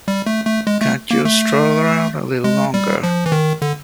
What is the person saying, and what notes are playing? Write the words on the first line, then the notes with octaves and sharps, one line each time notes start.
Can't you stroll around a little longer?
G3
A3
A3
G#3
A3
A#3
A3
G#3
G3
F3
E3
D#3
D3